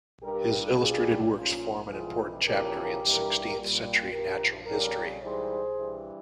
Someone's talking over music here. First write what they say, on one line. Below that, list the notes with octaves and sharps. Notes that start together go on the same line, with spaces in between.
His illustrated works form an important chapter in sixteenth century natural history.
G2 G3 G4 A#4
G2 G3 F4 G#4
A#2 F3 C#4 F4
F2 C3 E3 G3 F4 G#4
E2 C#3 F3 G4 A#4
G2 E3 G3
A#2 G3
G2 F3 G4 A#4
F2 C#3 G3 G4 A#4
G#2 E3 G3 G#4 C5
G2 E3 G3